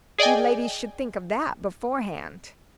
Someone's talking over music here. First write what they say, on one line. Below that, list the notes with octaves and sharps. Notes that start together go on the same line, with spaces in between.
"You ladies should think of that beforehand."
G#4 D5 D#5 G5 G#5